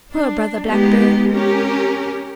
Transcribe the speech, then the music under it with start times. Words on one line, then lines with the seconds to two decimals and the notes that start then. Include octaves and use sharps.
Poor Brother Blackbird!
0.11 D4
0.67 G#3 B3 D#4 G4
1.31 C#4 G4 A#4